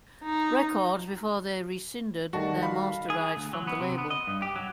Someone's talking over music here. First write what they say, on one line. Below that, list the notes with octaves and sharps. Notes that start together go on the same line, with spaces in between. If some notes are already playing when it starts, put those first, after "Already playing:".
Records before they rescinded their master rights from the label.
D#4
D#3 G3 A3 F#4 A5
F5 B5
G#4
D2
F#3
B3
C3
B3
D#5
G2
G4
F#3